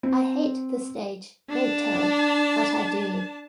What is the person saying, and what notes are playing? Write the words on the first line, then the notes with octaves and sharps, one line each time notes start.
I hate the stage, don't tell-but I do.
C4
D4 A5